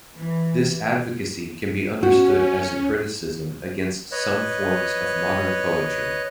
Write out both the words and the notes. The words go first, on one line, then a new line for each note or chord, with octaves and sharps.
This advocacy can be understood as a criticism against some forms of modern poetry.
E3
C#4 F#4
B4 C#5 D#5 F#6